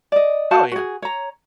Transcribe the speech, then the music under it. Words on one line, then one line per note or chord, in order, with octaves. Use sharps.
Oh, yeah.
D5 D#5
F#4 C5 F5 A5
F#4 G#4
C#5 A#5